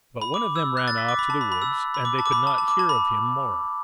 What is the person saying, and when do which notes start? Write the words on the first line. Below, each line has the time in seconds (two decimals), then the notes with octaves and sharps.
But one of them ran off to the woods, and they could not hear of him more.
0.22 B5
0.34 D6
0.56 E6
0.77 F#6
0.88 A6
0.98 B6
1.09 D6
1.19 B5
1.30 A5
1.41 B5
1.52 B5
1.62 E6
1.94 B5
2.05 D6
2.19 A5
2.26 D6
2.32 B5
2.47 A5
2.58 A5
2.68 D6
2.79 A5
2.89 B5